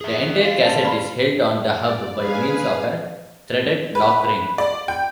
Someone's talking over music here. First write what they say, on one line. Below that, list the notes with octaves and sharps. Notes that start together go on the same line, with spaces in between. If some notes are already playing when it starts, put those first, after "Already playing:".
The entire cassette is held on the hub by means of a threaded lockring.
G#4 E5
F#4 F5
C#4 A5
B4 D5 B5
D5
G#4 B4 F5 G#5
B4
D5
G5